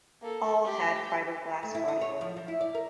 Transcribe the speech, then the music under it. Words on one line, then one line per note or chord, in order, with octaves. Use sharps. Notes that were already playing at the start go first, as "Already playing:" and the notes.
All had fiberglass bodywork.
A#3 A4
G4
A3
E4
D#5
C#5
F3
F3
E4
D5
A#4